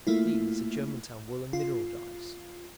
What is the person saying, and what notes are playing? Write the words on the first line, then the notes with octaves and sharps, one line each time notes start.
These are Germantown wool and mineral dyes.'
A3 A#3 E4 F4
F4